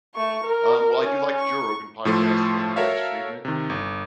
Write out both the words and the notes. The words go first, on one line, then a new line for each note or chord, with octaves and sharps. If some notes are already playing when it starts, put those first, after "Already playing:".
Um, well, I do like the Joe Rogan podcast and Lex Friedman.
A3 C#6
A#4
C#4
C#6
A2 F3 A3 A4 C6
F#4 A4 A#4 C#5 E5 F5
C3 D#3
G1